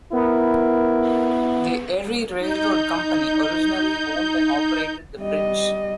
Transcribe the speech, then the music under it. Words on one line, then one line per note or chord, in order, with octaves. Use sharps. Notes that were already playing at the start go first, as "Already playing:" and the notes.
The Erie Railroad company originally owned and operated the bridge.
B3 E4 A#4
D#4 G6
G3 D#5